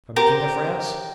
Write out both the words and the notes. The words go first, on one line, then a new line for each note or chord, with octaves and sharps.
"From the king of France?"
G4 A#4 C5 D6